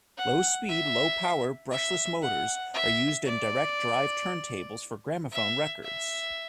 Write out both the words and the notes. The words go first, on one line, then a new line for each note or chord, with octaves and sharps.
Low speed, low power brushless motors are used in direct-drive turntables for gramophone records.
F#5
E5
E5
F#5
E5
D5
E5
E5